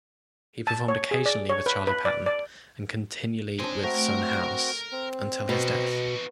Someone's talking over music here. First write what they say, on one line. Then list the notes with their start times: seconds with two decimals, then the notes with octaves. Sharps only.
He performed occasionally with Charley Patton and continually with Son House until his death.
0.67 A5
0.88 C#5
1.11 G#4
1.26 D5
1.49 C#5
1.66 B4
1.87 B4
2.05 D5
2.26 D5
3.59 C4 D4 D#4 G#5
3.83 A3 C4 F#4 A#4
4.92 C4
5.49 B2 D#4 F#4